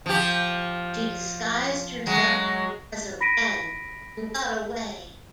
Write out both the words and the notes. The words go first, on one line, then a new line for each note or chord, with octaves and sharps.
She disguised herself as a Wren and got away.
F3 G4
F#3 G#3
B5 A#6 B6 D7 D#7